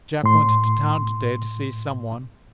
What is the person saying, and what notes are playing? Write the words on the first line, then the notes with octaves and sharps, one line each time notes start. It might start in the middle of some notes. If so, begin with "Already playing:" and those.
Jack went to town today to see some one.
A2 C6